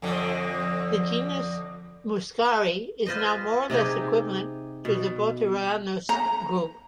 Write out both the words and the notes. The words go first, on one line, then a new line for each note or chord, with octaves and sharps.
The genus "Muscari" is now more or less equivalent to the Botryanthus group.
F2 D3
F4 B4 C5 D#5
C3 D#4 G4 G#4
B2
A#5